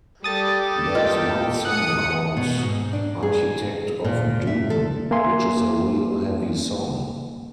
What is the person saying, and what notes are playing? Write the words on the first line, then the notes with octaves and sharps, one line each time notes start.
There's one song called 'Architect of Doom', which is a real heavy song.
G3 G4 A4 D#6 A6
A#3 F4 D#5 G5
D#6 F#6 C#7
B2
G#2
D4
G#4
A#2
E5
A4
A#3 E5 G#5 C6